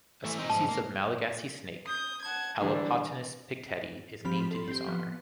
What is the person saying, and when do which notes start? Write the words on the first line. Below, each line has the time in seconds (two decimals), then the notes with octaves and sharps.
A species of Malagasy snake, "Elapotinus picteti", is named in his honor.
0.25 E3 A3
0.38 C4 D#4
0.50 G#2 F3 A5
0.69 A#3
1.86 D#6 G6
2.22 F#5 A5 G#6
2.60 D3 E3 G3 A#3 D4
4.25 F3 C4 F4 G4 B5 B6
4.51 A4 C6
4.68 C4 G4
4.87 F3 B3